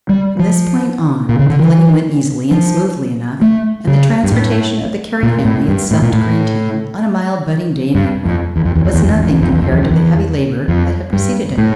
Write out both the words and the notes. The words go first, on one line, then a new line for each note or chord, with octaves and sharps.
From this point on, the flitting went easily and smoothly enough, and the transportation of the Carey family itself to Greentown, on a mild budding day in April, was nothing compared to the heavy labor that had preceded it.
G3
F3
A#2
C#3
D3
E3
F3
A3
C#3
G2
A2
A#2
A2
G2
A2
A#2
A2
G2
F2
E2
F2
E2
F2
E2
F2
E2
F2
E2
F2
E2
F2
E2
F2
E2
F2
G2
A2